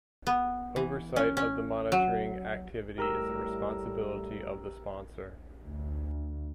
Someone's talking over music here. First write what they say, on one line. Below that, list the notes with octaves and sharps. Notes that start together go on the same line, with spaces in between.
Oversight of the monitoring activity is the responsibility of the sponsor.
B3
E3
C#4
C#4
F#3
A2 G3 A3 G4 A#4 A#5 E6
D2